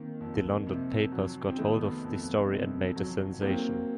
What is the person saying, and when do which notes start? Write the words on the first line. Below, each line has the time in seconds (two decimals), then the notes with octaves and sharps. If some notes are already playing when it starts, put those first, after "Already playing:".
The London papers got hold of the story and made it a sensation.
Already playing: D#3 A#3 C4
0.21 F2
0.67 C3
1.12 F#3
1.48 C4
1.58 D#3 A3 B3
2.04 F2
2.50 C3
2.96 F#3
3.41 F#3 A#3 C4